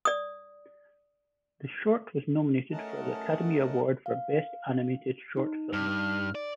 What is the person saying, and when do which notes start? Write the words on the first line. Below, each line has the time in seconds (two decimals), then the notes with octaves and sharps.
The short was nominated for the Academy Award for Best Animated Short Film.
0.05 D5 D#6
2.72 A3 C#4 A#4 D#5 F#5 A5
4.06 F5
5.37 D#4
5.73 G2 F6
6.35 D5